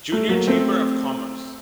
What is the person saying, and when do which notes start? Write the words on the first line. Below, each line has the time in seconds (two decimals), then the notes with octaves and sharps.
Junior Chamber of Commerce.
0.12 A3
0.29 F#3 A#3
0.47 A3 C4